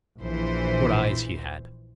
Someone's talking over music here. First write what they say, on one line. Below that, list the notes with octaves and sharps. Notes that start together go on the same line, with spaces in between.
What eyes he had!
A#1 E3 C5